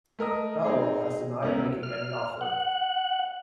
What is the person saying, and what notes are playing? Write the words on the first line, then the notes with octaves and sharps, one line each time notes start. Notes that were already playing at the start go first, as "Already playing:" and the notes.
Falwell has denied making any offer.
A3 A#4 D#5 D#6
C4 D#4 G#4
C#2 B3 C#4 E4 A#4
F6
F#5